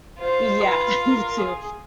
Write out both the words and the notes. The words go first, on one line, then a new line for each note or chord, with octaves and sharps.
Yeah, me too
F4 C5
B4
A#4
G#4